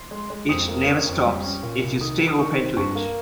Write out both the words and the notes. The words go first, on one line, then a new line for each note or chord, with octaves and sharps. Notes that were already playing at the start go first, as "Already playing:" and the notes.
It never stops if you stay open to it.
Already playing: C6
G#3
G#3
F2 D#6
A#3
C#4
F2
G3
C#4
A#2
C2
D#3 D#6
D#3
D#6
D#3 C#6
C4
G2 C#6
A#3